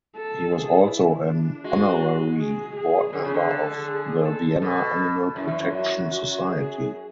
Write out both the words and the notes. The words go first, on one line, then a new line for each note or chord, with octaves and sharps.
He was also an honorary board member of the Vienna Animal Protection Society.
A4
G#4
E4
D4
G#3 F#4
G#4
G#4
D3 G#4
C#3
D3
A4
G#4
A4
B2 A4
F#2 E4
E2
F#2
F#4
F#4
G#4